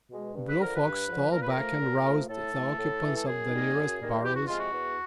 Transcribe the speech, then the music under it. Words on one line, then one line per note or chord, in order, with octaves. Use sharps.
Blue Fox stole back and roused the occupants of the nearest burrows.
B2 G#3
G2
B4
D3 F3 A#4
B4
G2
D3 F3
A#2 A#4
B4
A#4
F3 A3
A#2
F3 A3
A2 A4
E3 A3
A2
E3 A3
A4
F#2 G#4
D#3 G3 A#3
F#2
D#3 G3 A#3
E2 G4
F#4
C3 F3 G#3 F4
F#4
E2